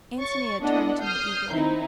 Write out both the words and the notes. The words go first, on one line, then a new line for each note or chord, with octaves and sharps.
Antonia turned to me eagerly.
C#5 C#6 A6
B3 D4 E4 A4 D#5 F#5
D#6 F6 G6 C7
D#3 C4 D#4 E4